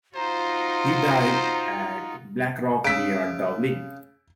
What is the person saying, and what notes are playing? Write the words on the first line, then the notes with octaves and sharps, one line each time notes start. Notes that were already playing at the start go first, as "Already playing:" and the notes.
He died at Blackrock, near Dublin.
D#4 F4 F#4 C5 A#5
C#3 E6 B6 D7